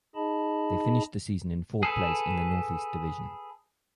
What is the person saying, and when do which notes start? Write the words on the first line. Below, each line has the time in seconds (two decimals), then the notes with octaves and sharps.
They finished the season in fourth place in the "Northeast Division".
0.15 D#4 G#4 D#5 A5 B5
1.83 G#4 A4 B4